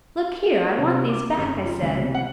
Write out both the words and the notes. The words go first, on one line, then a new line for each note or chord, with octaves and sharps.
'Look here, I want these back,' I said.
C3
D6
F#1
F4
C#2
C3
F#5